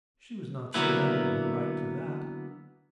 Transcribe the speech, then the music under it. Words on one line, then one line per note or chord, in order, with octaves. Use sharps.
She was not surrendering her right to that.
D3 F#3 A#3 B3 E4 B4